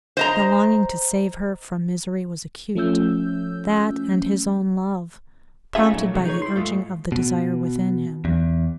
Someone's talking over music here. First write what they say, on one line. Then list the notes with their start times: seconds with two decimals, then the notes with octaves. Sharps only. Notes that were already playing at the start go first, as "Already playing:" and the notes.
The longing to save her from misery was acute, that, and his own love, prompted by the urging of the desire within him.
0.17 C5 D#5 A#5
2.75 F3 A3 C#4 E6 G6
5.75 C#4 D#4 F4 G#4 E5
5.93 A#2 F#3 A3
6.14 C3 D#3 F#3 G#3 A3
6.25 D#4 G#4 B4 C#5
6.42 E4 C6
6.56 G#2 C#3 G#3 A3 F4
7.12 B2
8.25 E2